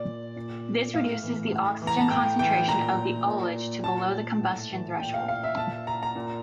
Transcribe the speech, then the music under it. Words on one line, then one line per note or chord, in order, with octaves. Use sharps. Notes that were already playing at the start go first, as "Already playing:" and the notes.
This reduces the oxygen concentration of the ullage to below the combustion threshold.
Already playing: A#2 D5
A#2
A2 F5
E3
A2
E3
A#5
A5
A2 G5
E3 G5
A#2 A#5
A#2
A#2 A5
A2
E3
A#2 G5
F5
F5
E5
A#2 A5
A#5
A#5
A#2